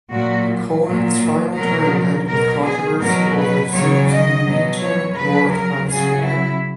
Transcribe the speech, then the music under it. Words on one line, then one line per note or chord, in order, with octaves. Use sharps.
Cohen's final term ended with controversy over the city's new Newton North High School.
A#2 F#3 F#4
A#2 F#3
B2 F#3 A#4
B2 F#3 A#4
G#4
B2 F#3 A#4
B4
C#3 F#3 C#5
D#5
B2 F#3
C#5
C#3 F#3 B4
A#4
C#3 F#3 G#4
E4